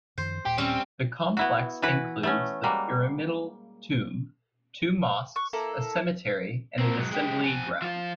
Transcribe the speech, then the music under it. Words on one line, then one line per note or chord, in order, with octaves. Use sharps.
The complex includes the pyramidal tomb, two mosques, a cemetery and an assembly ground.
F#2 D#3 F3 C5
D#1 A#2 G4
G3 C4 C#4
B3 E4 F#4
E3 E4 F#4 B4
A3 B3 C#4
G3 G#3 A#3 F#4
C#6 F#6
A#3 E4 A4 A#5
C4 A#4
G#2 F#3
G#3 G4
F2 G#5
F3 F4